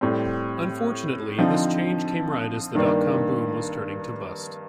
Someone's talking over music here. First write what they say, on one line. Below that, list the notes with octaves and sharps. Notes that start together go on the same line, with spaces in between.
Unfortunately, this change came right as the dot-com boom was turning to bust.
A2 G3 C4
D3 F3 C4 D#4
G2 D#3 A#3 D4